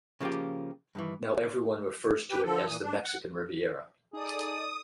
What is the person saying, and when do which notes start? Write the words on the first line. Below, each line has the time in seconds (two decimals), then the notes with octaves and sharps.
Now everyone refers to it as the Mexican Riviera.
0.20 C#3 F3 A#3 F4 G4
0.95 G2 D#3 E3
2.30 G4 B4 G5
2.45 D3 F3 A4
2.68 A#2 E3 D#6
2.83 D4
3.04 F#5
4.13 D#4 G#4 A4 D5 D#6